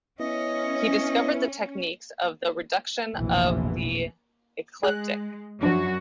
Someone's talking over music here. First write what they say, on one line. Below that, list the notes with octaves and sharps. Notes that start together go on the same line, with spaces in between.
He discovered the techniques of 'the reduction of the ecliptic'.
B3 C#4 E4 D#5
F1 A#1 B2 E3
G#3 G#4 F#6
F#2 F3 D4 F#4